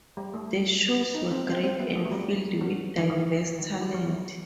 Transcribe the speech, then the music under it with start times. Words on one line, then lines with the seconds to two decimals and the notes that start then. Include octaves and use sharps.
The shows were great and filled with diverse talent.
0.17 G3
0.34 A3
1.15 D#4
1.31 C4
1.47 C4
1.64 C4
1.80 B3
1.96 A3
2.05 F#3
2.12 G3
2.61 F#3
2.98 D#3
3.10 E3
3.59 D#3
3.81 G3
3.95 F#3
4.07 E3